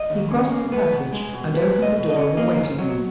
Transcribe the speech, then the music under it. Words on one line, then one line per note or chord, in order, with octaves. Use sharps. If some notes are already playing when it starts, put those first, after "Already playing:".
He crossed the passage, and opened the door of a waiting-room.
Already playing: D#5
D#2
C#3
A#3
B3 B4
B2
G#3
B2
G#3 B4
C#2
D#5
B2
D#5
C#4
A#3 D#5
G#2
F#3